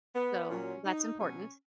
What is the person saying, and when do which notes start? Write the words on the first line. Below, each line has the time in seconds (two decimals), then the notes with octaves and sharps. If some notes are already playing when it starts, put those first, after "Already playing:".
So, that's important.
0.15 B3
0.49 A#2 F#3 C#4
0.85 D#4
1.19 B2 F#3 C#4